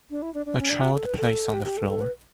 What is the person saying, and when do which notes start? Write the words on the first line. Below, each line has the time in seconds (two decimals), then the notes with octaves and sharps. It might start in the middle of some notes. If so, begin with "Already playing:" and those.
A child plays on the floor.
0.10 D4
0.22 E4
0.34 D4
0.46 D4
0.59 C#4
0.70 D4
0.81 F#4
0.94 A4
1.05 B4
1.18 A4
1.53 G4
1.65 G4
1.77 A4
1.89 A4
2.00 B4